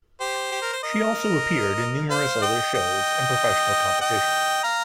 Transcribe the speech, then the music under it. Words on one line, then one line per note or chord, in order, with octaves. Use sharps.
She also appeared in numerous other shows and professional competitions.
G4 C5
G4
A#4
C5
A#4 D#5
C5 F5
D#5 G5
D#5 G5
D#5 G5
F5 A#5